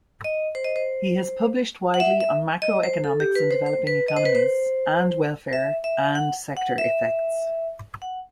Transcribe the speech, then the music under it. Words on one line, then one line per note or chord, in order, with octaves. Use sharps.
He has published widely on macroeconomics in developing economies and welfare and sector effects.
D#5
C5
D#5
C5
F#5
E5
E5
D#5
C5
A4
G4
B4
C5
C5
B4
D#5
C5
B4
C5
E5
E5
F#5
F#5
E5
F#5